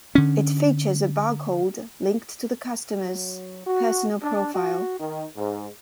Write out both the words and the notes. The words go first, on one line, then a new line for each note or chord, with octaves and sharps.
It features a bar code, linked to the customer's personal profile.
D3 C#4
F#3
F#4
D4
F#4
D#3
G#2